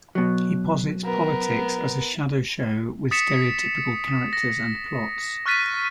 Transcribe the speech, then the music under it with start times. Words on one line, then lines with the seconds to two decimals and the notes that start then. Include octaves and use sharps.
He posits politics as a shadow show with stereotypical characters and plots.
0.15 B2 F#3
1.04 B3 A#4
3.11 D#6 A6 B6 C#7 E7
4.33 A#6
5.46 C#6 F6 F#6 A6 B6 D#7